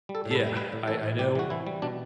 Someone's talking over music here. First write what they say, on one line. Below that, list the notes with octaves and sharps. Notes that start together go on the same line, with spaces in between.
Yeah, I I know
G3
A4
A2
A4
B4
G3
G3 B4
A2
E3 A4
A2
G3 G4
E3 F#4
E3 E4
G3
B2 D4